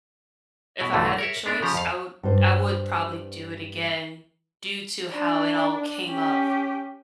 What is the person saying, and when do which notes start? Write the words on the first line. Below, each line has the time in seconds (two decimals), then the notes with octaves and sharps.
if I had the choice, I would I would probably do it again, due to how it all came up
0.80 B2 E4
0.93 B1 G2 D3 E3 A3
1.18 A#4 C#5 E5
1.46 B3 D4 A#4
1.62 C#3 F3 G4 A#5
1.74 F2 F5
2.23 G2 C5
5.13 D4
6.08 C#4 G4